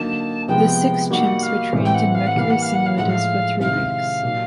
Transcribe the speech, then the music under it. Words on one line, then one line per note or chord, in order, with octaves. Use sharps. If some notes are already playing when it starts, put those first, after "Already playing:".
The six chimps were trained in Mercury simulators for three weeks.
Already playing: D3 F#3 A#3 D#4 A5
C3 F3 G#3 B3 G5
G3 A#3 D#4 F#4 F#5
F5
A2 E3 G3 C4
G5
F#5
F5
F#5
E3 G3 A#3 F5
F#5
F5
F#5
F5
A2 F3 G#3 F#5
F5
C3 D#3 G#3 C4 E4 F5
A#2 F#3 A#3 D#4 G4